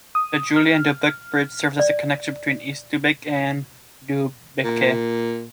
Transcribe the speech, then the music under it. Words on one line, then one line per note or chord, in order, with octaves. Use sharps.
The Julien Dubuque Bridge serves as the connection between East Dubuque and Dubuque.
D#6
F6
D5
A#2